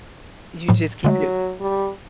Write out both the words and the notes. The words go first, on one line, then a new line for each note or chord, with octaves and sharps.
You just keeping it
A2 F3 F#3
D3 F#3 G#3 A3
G3